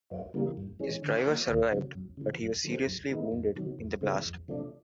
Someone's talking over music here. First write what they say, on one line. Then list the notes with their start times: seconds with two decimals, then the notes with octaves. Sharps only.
His driver survived, but he was seriously wounded in the blast.
0.11 F#2
0.34 C#3 E3 G3 A#3
0.57 G2
0.79 E3 G#3 C#4
1.02 D3
1.26 F3 A#3
1.48 D2
1.72 C#3 F#3
1.95 F#2
2.17 C#3 E3
2.41 F#2
2.64 D#3 F#3 A3 C4
2.86 F#2
3.09 D#3 G#3 B3 D#4
3.32 F2
3.56 C3 D#3 F#3
3.79 F2
4.01 C#3 E3 G#3 C4
4.25 F2
4.48 C3 F3 A3 D4